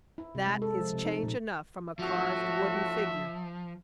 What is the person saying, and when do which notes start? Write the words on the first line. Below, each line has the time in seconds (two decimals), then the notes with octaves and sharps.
That is change enough from a carved wooden figure.
0.18 E4
0.35 C3
0.47 G#3
0.62 A4
0.80 F3
0.93 C3
1.05 D#4
1.23 A#2
1.99 G#1 A2 F3 F#4 E5 A5